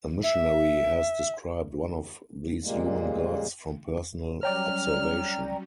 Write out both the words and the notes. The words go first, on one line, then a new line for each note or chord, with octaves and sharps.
A missionary has described one of these human gods from personal observation.
E5
F2 A#2 C#3 G3 G#3 A#3
F#3 G3 C#4 C#5 D5 G5 A#5 F6